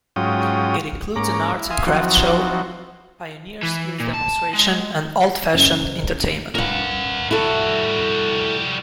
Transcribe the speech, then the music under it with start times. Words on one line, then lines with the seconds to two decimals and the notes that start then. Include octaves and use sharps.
It includes an arts and craft show, pioneer skills demonstration, and "old-fashioned" entertainment.
0.16 G#2 F#3 C#4 F4 G5 D#6
1.16 G#2 A#3 C#4 A#5 D6
1.56 E4
1.70 E5 F5 G#5 C6 D#6
1.87 F3 F#3 C4 D#4 E4 F#4
3.63 E3
4.00 A#2
4.14 A5
4.53 G#3
5.53 F#1
6.55 E2 G2 A#4 F#5
7.31 G3 E4 F#4 A4